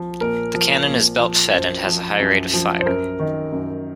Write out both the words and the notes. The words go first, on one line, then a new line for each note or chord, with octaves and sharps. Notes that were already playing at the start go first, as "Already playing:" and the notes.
The cannon is belt fed and has a high rate of fire.
Already playing: F3
A#2 A#4
F3
A#2
F3
F#2 C5
F3
F#2
F3
C5
F#2 A#4
D#3
F#2